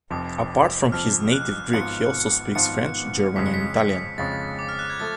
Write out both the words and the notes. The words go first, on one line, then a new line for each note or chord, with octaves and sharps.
Apart from his native Greek, he also speaks French, German and Italian.
F1 F2 F3 D6
F1 F2 F3 F6
F#6
G#1 G#2 F3 B3 F4 C#7
G#1 G#2 F3 B3 F4 C#7
F2 C#3 G#3 B6
C#7
B6
F2 C#3 G#3 A6
D6
F6
F#6
G#6
F3 A3 A6